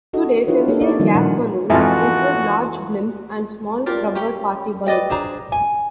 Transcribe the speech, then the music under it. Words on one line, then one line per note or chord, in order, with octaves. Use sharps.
Today, familiar gas balloons include large blimps and small rubber party balloons.
D4 F#4 A4 D#5
D4 E4 F4 G4 B4 C#5
A#3 D#4 G4 A4 A#4
D#4 E4 A4 C#5 D5 F5
D#3 F3 G3 C#4 E4 F#4
A#2 D4 A#4 F#5
F2 G#2 E3 F4 F#4 A4
F4 G4 A#4 D5
C#4 G4 G5
B4 D5 D#5 G5
D4 G#4 C5 A#5
G#5